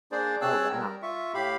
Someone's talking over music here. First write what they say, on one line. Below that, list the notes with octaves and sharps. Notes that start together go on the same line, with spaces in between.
Oh, wow.
A#3 D4 G#4 C5 D5
C4 G#4 C#5 A5 E6 F#6
G3 A#4
F4 E5 C#6
A2 G4 F5 B5